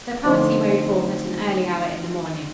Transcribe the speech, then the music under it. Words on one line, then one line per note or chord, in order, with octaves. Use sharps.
The party rode forth at an early hour in the morning.
D3 F3 A3 C4 D#4